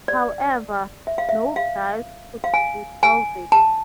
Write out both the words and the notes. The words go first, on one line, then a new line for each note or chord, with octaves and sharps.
However, no glyphs could be salvaged.
D5
E5
F5
E5
F5
F5
G#5
G#5
A5